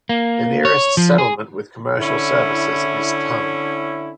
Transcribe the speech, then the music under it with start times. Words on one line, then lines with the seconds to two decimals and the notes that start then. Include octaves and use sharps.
The nearest settlement with commercial services is Tongue.
0.09 A#3
0.65 C#5
0.97 F3
1.18 G#4
1.99 D3 C#4 E4